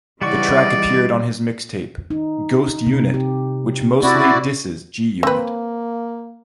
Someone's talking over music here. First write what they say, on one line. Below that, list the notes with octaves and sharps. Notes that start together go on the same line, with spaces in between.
The track appeared on his mixtape "Ghost Unit", which mostly disses G-Unit.
C#3 E3 G3 D5 D#5 F#5 C#6
D#4
C3
G4
C4 E4 F#4 D5
A#3 C4 B4